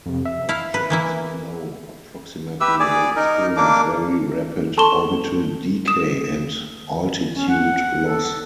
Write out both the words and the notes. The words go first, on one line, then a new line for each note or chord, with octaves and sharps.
Objects below approximately will experience very rapid orbital decay and altitude loss.
F2 C3
E5
E4 F5
B4
E3 A#3 E4
G4 B4 E5 E6
G#4 D5 G#5 D6
D#4 A#4
A#3 D4 D6
A4 A5 C6 C#6 E7 G7
D#6 E7
C#4
F#5
A4